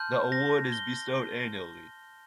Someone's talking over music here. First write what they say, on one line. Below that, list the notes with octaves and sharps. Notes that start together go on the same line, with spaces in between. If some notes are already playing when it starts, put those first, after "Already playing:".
The award is bestowed annually.
Already playing: A5 C6 F6 G6
A#6
G7